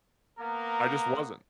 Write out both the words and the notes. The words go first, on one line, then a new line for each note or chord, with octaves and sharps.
I just wasn't.
A#3 B3 A#4